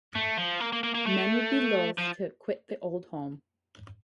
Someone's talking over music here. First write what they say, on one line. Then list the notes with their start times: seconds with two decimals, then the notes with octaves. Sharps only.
Men would be loath to quit the old home.
0.15 A3
0.38 F3
0.60 A#3
0.72 A#3
0.83 A#3
0.94 A#3
1.06 A3
1.98 F3